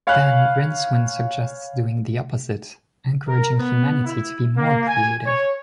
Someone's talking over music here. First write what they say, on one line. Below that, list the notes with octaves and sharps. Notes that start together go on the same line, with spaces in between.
Then Rincewind suggests doing the opposite, encouraging humanity to be "more" creative.
C#5 F5 G#5 B5 F#6
A#4
B3
E4
A#3
G#5
C#5